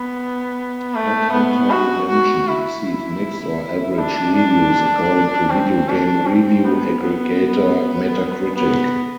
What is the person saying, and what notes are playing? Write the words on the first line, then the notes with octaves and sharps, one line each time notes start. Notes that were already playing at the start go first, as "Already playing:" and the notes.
"Headhunter Redemption" received "mixed or average" reviews, according to video game review aggregator Metacritic.
Already playing: B3
A3
B3
F#4
F#4
E4
D4
D4
C4
D4
C4
B3
B3
B3